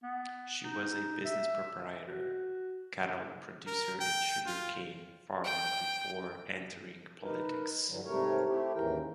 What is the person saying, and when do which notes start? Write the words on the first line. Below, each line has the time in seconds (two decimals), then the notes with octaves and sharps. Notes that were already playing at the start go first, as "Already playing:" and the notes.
She was a business proprietor, cattle producer and sugar-cane farmer before entering politics.
0.03 B3
0.64 D#4
1.25 E5
2.07 F#4
3.67 A#4
4.01 G5
4.47 F4
5.44 G5
7.21 D#4 A#4 B4
7.87 G2 D3 E3 F#3
8.05 G#2 C3 G3 A3 A#4 C#5
8.47 A3 C4 E4 G4
8.75 D#2 G#2 C#3 E3 A#4 G5